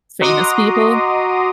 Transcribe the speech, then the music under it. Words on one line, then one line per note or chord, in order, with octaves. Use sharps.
famous people,
F#4 D#5 A#5 C6 D6 D#6